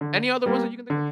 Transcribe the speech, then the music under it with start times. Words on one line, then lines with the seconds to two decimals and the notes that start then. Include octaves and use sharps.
any other ones that you can think of?
0.01 D3
0.46 G3 A#3
0.90 D3